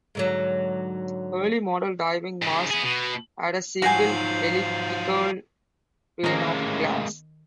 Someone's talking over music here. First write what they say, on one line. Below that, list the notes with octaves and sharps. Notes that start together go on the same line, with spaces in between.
Early model diving masks had a single elliptical pane of glass.
G#2 D3 F#3
G#2 C#3
B3 G#4
B2
G#2 F3 F#3 F#4 G#5 G6 C7 F#7
A2 D#3 G#3 A#3 C#4 A#5